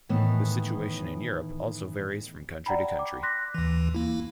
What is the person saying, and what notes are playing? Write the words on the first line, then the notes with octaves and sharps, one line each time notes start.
The situation in Europe also varies from country to country.
A2 D#3 E3 B3
D5 F#5 G5 A#5 B5
D6
C6 F#6 A#6 B6
D#2 E3
A#3 E4